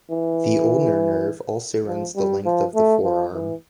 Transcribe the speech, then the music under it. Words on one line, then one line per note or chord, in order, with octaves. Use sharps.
The ulnar nerve also runs the length of the forearm.
E3
F3
G3
F3
A3
F3
E3